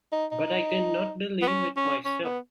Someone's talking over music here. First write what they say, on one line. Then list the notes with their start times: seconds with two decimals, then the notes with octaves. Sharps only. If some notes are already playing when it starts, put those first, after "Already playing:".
But I cannot believe it myself.
0.12 D#4
0.31 D#4
1.42 B3
1.47 C#4
1.77 C#4
2.05 C#4
2.24 B3